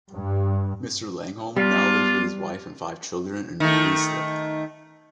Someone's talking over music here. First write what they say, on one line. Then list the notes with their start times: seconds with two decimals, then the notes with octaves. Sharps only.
Mr. Langholm now lives with his wife and five children in Ruislip.
0.14 G2
1.56 G3 B3 D4 F4
3.60 D#3 A3